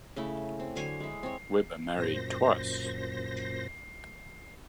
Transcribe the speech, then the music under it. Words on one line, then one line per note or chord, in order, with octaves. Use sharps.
Weber married twice.
C#3 A3 E4
C4
D3 F#3 C#5 G#5
G#3 E4
C4 C#5
F#2 A#2 C5 A#6